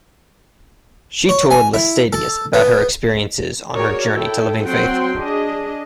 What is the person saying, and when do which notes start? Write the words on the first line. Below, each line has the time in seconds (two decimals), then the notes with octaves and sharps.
She told Laestadius about her experiences on her journey to living faith.
1.29 C#5
1.51 G#5
1.74 E4
2.13 A4
2.54 B3
3.74 F#4 G#4 A#4 C#5 D5
4.12 E4 A4 G5
4.65 F#3 C4 F#5 G5 C6
5.17 D4 G#4 D#5